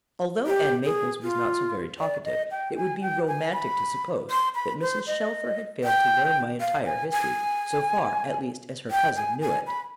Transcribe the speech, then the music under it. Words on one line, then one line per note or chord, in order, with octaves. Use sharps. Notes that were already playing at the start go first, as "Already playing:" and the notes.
Although Ann Maples was not so very talkative, it would be romantic to suppose that Mrs. Shelfer had failed to learn my entire history, so far at least as her cousin knew it.
G4
G#4
F4
D5
D#5
G5
G#5
G5
G#5
B5
C6
B5
C5
D#5
G5
F5
G#5
G#5
G5
G#5
G#5
B5